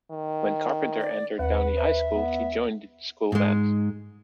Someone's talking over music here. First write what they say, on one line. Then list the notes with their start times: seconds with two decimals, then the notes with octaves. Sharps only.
When Carpenter entered Downey High School, she joined the school band.
0.11 D#3
1.00 D5
1.39 D#2 B4 F#5
1.77 C5 E5
2.15 B3
3.32 G#2 G#3